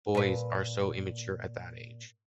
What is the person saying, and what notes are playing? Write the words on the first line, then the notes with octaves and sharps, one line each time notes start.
Boys are so immature at that age.
A#2 B4